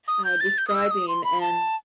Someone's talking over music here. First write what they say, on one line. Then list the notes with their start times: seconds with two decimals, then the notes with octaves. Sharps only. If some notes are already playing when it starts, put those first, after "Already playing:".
uh, describing, and
0.08 D#6
0.25 G6
0.40 A6
0.58 G6
0.68 D#6
0.74 E6
0.91 D#6
1.08 C6
1.24 B5
1.41 A5